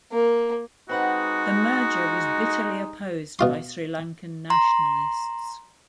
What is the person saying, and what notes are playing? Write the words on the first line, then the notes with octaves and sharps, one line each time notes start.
The merger was bitterly opposed by Sri Lankan nationalists.
A#3
G#3 C4 D#4 F#4 B4 F#5
B2 F4 C6
A#5 C6